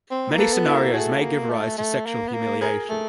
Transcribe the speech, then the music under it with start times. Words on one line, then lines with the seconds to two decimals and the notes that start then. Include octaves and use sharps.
Many scenarios may give rise to sexual humiliation.
0.11 C4
0.31 A#3
0.38 A4 B4
0.53 B3
0.66 E4 F#4
0.74 A#3
0.94 A3 F#4 G#4
1.22 A#3
1.50 A3
1.78 A3
2.06 A#3
2.28 B3
2.33 A#3
2.61 G#4 A#4
2.89 A3